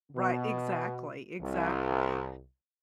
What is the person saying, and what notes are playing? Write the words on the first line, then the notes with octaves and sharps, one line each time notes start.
Right, exactly, exactly.
B2
C2